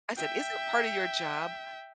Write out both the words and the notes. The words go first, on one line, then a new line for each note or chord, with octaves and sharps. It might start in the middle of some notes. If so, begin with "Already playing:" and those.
I said, "...isn't part of your job
E5 G5